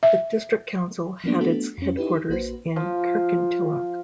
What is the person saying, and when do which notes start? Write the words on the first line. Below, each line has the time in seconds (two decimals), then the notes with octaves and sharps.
The district council had its headquarters in Kirkintilloch.
0.03 E5
1.24 F3 F#3 A#3 B3 D4
1.41 A3 B3 D4 F#4 A4
1.78 F2 C#4
1.97 D#4 E4 G4 B4
2.29 A#1 A#3 F#4 B4 C5
2.76 F3